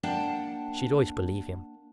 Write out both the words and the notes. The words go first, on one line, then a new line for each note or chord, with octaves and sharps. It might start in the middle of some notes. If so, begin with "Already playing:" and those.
She'd always believe him.
A#3 D4 F#5 G5 A5